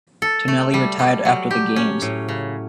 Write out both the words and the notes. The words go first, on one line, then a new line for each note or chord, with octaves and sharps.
Tonelli retired after the Games.
A4
A3
G3
G3
F#3
G4
C#4
A2
C#3